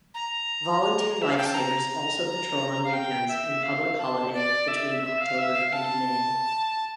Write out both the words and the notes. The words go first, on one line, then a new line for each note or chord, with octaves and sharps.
Volunteer Life Savers also patrol on weekends and public holiday between October and May.
A#5
E5
F5
G5
A5
A#5
F5
G5
E5
F5
A5
D5
E5
E5
F5
E5
F5
A5